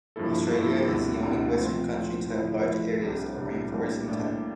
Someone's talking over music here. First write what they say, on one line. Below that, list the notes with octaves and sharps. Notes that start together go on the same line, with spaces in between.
Australia is the only western country to have large areas of rainforest intact.
G2 F3 A#3 E4 A4
G2 F3 A#3 E4 A4
D2 D3 G3 C4 E4
D2 D3 G3 C4 E4
F3 A3 C4 F4 C5
F3 A3 C4 F4 C5
F3 A3 E4
F3 A3 E4
C2 C3 G3 D4
C2 C3 G3 D4
A2 G3 A#3 D4
A2 G3 A#3 D4